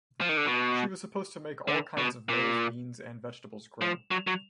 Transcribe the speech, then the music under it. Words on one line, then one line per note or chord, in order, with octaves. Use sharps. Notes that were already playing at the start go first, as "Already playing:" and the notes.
She was supposed to make all kinds of maize, beans, and vegetables grow.
F3
D#3
D3
B2
D3
B2
A#2
F3
F#3
F#3